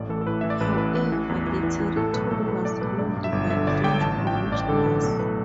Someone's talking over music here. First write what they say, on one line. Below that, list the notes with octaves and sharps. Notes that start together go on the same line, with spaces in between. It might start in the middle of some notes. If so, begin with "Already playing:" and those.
However, the territory was ruled by French commissioners.
Already playing: A1 A2 D5
E3 A4
A4
A2 B4
E3 E5
D5
A1 B4
A1 B4
E3 B4
E3
E2
E3
E3
E3
A2 A4
B1 B4
A2 A4
A2 B4
A2 D5
B1 B4
G2 D5
G2
E5
G1
D3 E5
G1 D5
G1 G5
A1 A5
A1
G5
A1
A1 D5
D3 A4
A1 B4
B1 A4
A2 B4